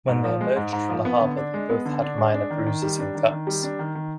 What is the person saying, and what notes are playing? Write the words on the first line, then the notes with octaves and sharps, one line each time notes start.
When they emerged from the harbour they both had minor bruises and cuts.
G#2
F3
G#3
G#2
G#2
F3
B3
D3
D4
G#3
B3
D3
D4
G#3
D4
D#3
D#3
G3
D4
D#3
D#3
G3
D4
D#3
D#3